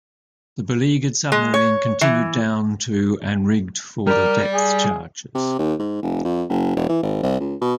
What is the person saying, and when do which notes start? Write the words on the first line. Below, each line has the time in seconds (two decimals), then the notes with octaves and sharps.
The beleaguered submarine continued down to and rigged for depth charges.
1.32 G#3
1.54 C#5
2.01 E3
4.07 G3 A#4 D5
4.53 G#4
5.35 C3
5.59 D#2
5.79 G#2
6.02 F1
6.25 F2
6.49 F#1
6.76 E1
6.89 E3
7.03 G#1
7.23 C2
7.40 C#2
7.61 B2